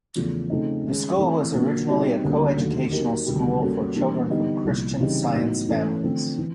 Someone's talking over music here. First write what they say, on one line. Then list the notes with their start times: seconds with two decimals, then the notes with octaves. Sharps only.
The school was originally a co-educational school for children from Christian Science families.
0.16 E2 C#3 F3 A3
0.50 C#3 F3 A3 C4 D#4
0.84 D#3 G#3 C#4
1.18 E3 A3 C4 E4 A4
1.53 A#2 F#3 A#3 D4
1.88 B2 G3 C4 D#4
2.23 D2 D3 G3 A#3 C#4
2.57 D#2 D3 F#3 A3
2.92 F#3 A#3 D#4 G4 A#4
3.26 D2 C3 D#3 G3
3.61 G3 A#3 C#4 F#4 A4
3.95 E3 G3 A#3 D4
4.30 D3 G3 B3 D#4
4.64 C2 A#2 F3
4.99 C#3 E3 G3 C4 D#4
5.34 A2 F#3 B3 D#4
5.69 E3 A3 C#4
6.03 D3 F3 A3 C4
6.38 E3